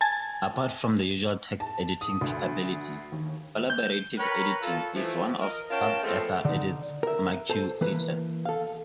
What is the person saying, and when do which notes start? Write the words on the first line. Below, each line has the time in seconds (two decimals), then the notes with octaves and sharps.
Apart from the usual text-editing capabilities, collaborative editing is one of SubEthaEdit's marquee features.
0.01 G#5 A5 G#6 A6
1.60 A5
2.01 D#6
2.21 D2
3.12 D#2
3.70 G6
4.18 A#4 B4 C#5 G5 A#5 B5
4.62 F4 A4
4.93 E3 F3 A3
5.41 A#4 D#5
5.70 C#4 F4 A#4 F#5 G5 A5
6.03 F3 G#3 A3 B3 C4 F4
6.45 D3 D#4
7.03 A#4 E5
7.50 A4 C5 A5
7.81 E3 A#3 B4
8.45 A4 F5